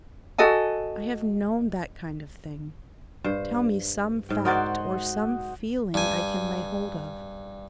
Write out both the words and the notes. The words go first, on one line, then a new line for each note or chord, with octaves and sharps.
I have known that kind of thing. Tell me some fact or some feeling I can lay hold of.
F#4 A4 D#5 G#5
G2 C5
G#2 G5
F#4 A#4 C5 D5 D#5
G2 G#5